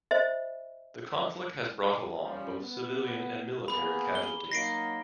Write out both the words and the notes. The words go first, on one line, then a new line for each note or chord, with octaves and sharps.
The conflict has brought along both civilian and military casualties.
C5 D#5 E5
F3 G3 C#4
B3
A#3 B3 G#4 B5
G7
F#3 A#3 D#4 A#6 C7 D7